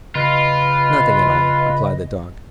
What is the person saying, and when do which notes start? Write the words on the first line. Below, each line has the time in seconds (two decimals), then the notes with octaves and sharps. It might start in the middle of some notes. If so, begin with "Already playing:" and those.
"Nothing at all," replied the Dog.
0.15 C#3 F4 B4 D#5